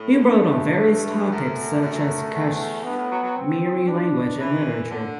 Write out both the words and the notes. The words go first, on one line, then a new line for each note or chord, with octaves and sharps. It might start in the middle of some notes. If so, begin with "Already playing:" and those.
He wrote on various topics such as Kashmiri language and literature.
Already playing: A2
G2 A3
F#2 A3
F#2
E2
G2 B3
A2
F#3
F#3
C4
D4
E3 E4
D3